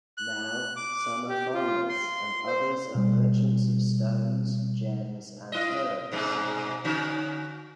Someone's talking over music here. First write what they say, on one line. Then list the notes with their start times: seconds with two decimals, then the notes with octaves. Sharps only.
Now, some are farmers and others are merchants of stones, gems and herbs.
0.18 F#6
0.76 D6
1.29 G4
1.54 F4
1.89 C6
2.47 C5
2.95 B2 G3
5.52 E4 D#5
6.12 G#2 B2 G#3
6.84 D3 C#4 F#4